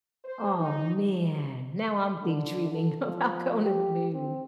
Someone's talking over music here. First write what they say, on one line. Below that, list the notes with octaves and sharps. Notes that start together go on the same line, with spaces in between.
Aw, man. Now I'm big dreaming about going to the Moon.
C5
D#4
D3
A4
F3
G4
C4